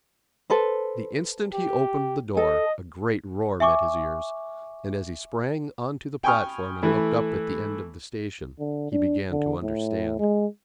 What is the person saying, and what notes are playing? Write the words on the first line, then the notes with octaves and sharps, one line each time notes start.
The instant he opened the door a great roar met his ears, and as he sprang on to the platform and looked up at the end of the station, he began to understand.
A4 B4 C5
G4
A4 D#5
E5 G#5 C#6 D6
G5 G#5 B5 C#6 D#6 F6
E3 A3 E4
D3
D4
D3
A2
G#3